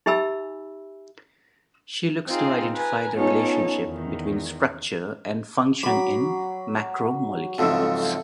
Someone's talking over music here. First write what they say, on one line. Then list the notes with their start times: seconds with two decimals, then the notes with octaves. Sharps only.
She looks to identify the relationship between structure and function in macromolecules.
0.06 D#4 G4 E5 G#5 B5 E6
2.27 C4 D#4 F4 G#4
2.75 B4 G#5 A#5
3.15 B3 C#4 D#4 F4 A4 C#5
3.85 E2 D#3
5.83 F#3 B5 D6
7.58 F2 G#2 C#3 A4 E5